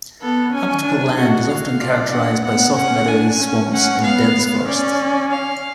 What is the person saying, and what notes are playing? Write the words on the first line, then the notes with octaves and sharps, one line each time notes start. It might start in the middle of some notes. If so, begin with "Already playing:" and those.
Habitable land is often characterized by soft meadows, swamps, and dense forests.
B3 A4
C#4 G#5
D4
F#4 F#5
F5
F4 D5
D4 F#5
B3 F#5
C#4 F#5
D4 G#5
C#4
C#4 F#5
B3 F5
C#4 D5
F5